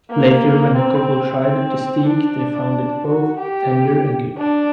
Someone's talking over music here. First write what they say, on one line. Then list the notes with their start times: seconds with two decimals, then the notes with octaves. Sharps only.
Later when the couple tried the steak they found it both tender and good.
0.11 A#3
0.76 C4
1.42 C4
2.07 D4
3.07 F#4
3.40 G4
4.37 D4